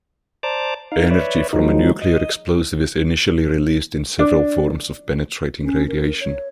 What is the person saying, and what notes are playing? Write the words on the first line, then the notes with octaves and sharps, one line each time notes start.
Energy from a nuclear explosive is initially released in several forms of penetrating radiation.
C5 D5 A5 A#5 D6
D#4 F5
B4 C#5 D5 E5
D#3 F3 F#3 G#3 D#4
D#5
D4
C#4
A#4
C#5